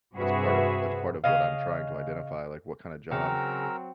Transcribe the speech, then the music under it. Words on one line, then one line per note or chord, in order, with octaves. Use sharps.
That's part of that's part of what I'm trying to identify, like, what kinda job
G2 C3 F#4 G#4 B4 E5
C#3 D#5 F5
C#3 F#3 C4 A#4 G5 A#5 E6